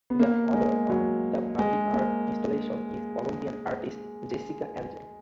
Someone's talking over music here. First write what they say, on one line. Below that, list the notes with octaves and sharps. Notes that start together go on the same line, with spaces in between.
The author of the public art installation is Colombian artist Jessica Angel.
B3
A#3
G#3
F#3
G#3
A#3